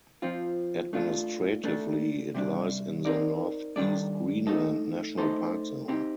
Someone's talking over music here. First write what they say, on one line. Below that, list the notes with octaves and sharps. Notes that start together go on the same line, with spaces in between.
Administratively it lies in the Northeast Greenland National Park zone.
F3 C4 F4
A3 D4 F4
A3 D4 A4
C3 G3 D4
C4 D#4 A#4 D5
D#3 G3 D4 A4 D5
A3 D#4 A4 D#5
A3 D#4 A4 C5
C4 D#4 G4